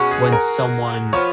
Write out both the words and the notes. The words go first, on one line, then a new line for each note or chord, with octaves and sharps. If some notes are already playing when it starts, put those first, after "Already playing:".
when someone
Already playing: B2 G#3 C#4 F#4
G#4
A#4
F3 B3 F4 C#5